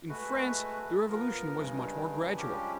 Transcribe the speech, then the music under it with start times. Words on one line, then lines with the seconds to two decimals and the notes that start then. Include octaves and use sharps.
In France, the Revolution was much more gradual.
0.09 G#3 A3 F#4 B4
1.09 F3 B3 A#4
1.57 G2 C#3 G#3
2.37 F3 G3 G#3 C#4 G4